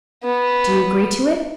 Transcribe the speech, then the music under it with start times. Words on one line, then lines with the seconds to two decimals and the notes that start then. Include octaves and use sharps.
"Do you agree to it?"
0.23 B3